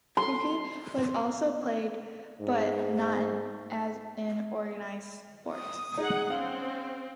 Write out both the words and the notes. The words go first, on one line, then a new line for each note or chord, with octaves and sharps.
Cricket was also played but not as an organized sport.
C6
G#2
D#6
D#4 G#4 F#5
C4 C#4 F5